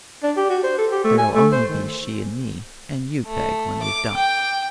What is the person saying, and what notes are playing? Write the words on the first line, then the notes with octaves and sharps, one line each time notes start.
There'll only be she and me--and you, Peg, when we've done.'
D4
G4
F#4
C5
A4
G4
A3
G#5
A3
C5
D#3
A3
D6
G5